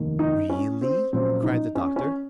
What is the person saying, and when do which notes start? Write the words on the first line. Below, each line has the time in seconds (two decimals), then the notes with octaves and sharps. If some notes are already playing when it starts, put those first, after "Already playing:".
"Really?" cried the Doctor.
Already playing: F1 D#2 D#3
0.19 D#4
0.50 C#4
0.82 C4
1.13 A#1 A#2 F#3 C4 C#4
1.43 D#4
1.75 C#4
1.96 C#4